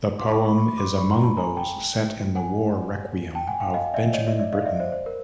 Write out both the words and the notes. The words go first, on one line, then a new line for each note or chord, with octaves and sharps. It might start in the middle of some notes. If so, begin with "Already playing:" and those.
The poem is among those set in the "War Requiem" of Benjamin Britten.
C6 D6
B5 C#6
B5 C#6
B5 C#6
C6 D6
B5 C#6
A#5 C6
A5 B5
G#5 A#5
G5 A5
F#5 G#5
G5 A5
F#5 G#5
F5 G5
D#5 F5
D5 E5
C#5 D#5
D5 E5
D5 E5
D#5 F5
D5 E5
C5 D5
C5
A#4